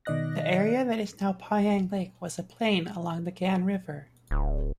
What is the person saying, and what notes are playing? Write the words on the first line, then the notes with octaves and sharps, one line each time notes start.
The area that is now Poyang Lake was a plain along the Gan River.
B2 D#3 D5 D#5 F#6 A#6
D1